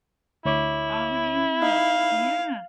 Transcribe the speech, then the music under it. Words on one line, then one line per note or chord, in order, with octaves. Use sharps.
Oh, yeah. Yeah.
D2 E4 C#5 D6
D#4 F5